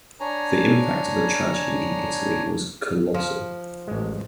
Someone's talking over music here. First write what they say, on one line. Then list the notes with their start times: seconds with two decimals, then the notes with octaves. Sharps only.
The impact of the tragedy in Italy was colossal.
0.20 D4 C#5 G#5 A#5
3.14 F3
3.88 A1 G#3